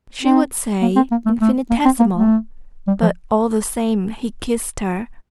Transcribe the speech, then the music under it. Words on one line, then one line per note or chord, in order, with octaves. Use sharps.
"She would say 'infinitesimal.' But all the same he kissed her."
C4
A#3
C4
A#3
A3
A3
A#3
C4
A#3
A3
G3
F3